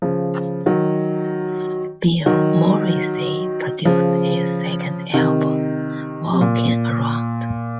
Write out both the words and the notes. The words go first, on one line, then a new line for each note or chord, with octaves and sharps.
Bill Morrissey produced his second album, "Walkin' Around".
C#3 F3
D#3 F#3
D#3 F#3
C#3 F3
C3 D#3
C3
A#2